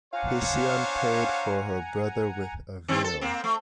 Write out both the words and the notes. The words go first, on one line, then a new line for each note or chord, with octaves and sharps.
Hesione paid for her brother with a veil.
D4 C5 C#5 F5 F#5 G#5 A#5
D#3 C4
A4
A#3 C4
A3